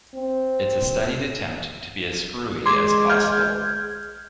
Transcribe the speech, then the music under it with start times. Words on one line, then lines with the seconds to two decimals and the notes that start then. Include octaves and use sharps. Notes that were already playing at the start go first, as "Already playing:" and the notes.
It's a studied attempt to be as screwy as possible.
0.15 C4
2.66 G#3 C6 D6 G#6
3.09 F6 G6 G#6